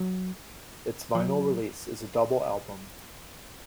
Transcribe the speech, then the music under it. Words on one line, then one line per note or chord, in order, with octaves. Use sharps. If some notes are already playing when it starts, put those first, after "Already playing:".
Its vinyl release is a double album.
Already playing: F#3
F3
F#3